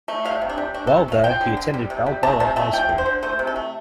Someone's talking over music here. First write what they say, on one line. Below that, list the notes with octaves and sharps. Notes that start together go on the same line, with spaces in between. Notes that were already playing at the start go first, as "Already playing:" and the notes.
While there he attended Balboa High School.
A3
G3 F5
C3
D4
G3
A3 D4
A4
C3
A3 F5
F3 G5
D3
D3
G3
C3
G3
A3 A5
C3 A5
A3 A5
F3 G5
D3
C5
D3
A3 C5
C3
A4
A3